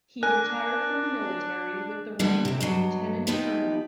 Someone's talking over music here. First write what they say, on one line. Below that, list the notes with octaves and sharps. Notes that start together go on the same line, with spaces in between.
He retired from the military with the rank of lieutenant colonel.
D4 A#4 G#5 F#6
D3 E3 G3 B3
C3 C4
G2 B2 F#3
F3 B3 D#4 G4 B4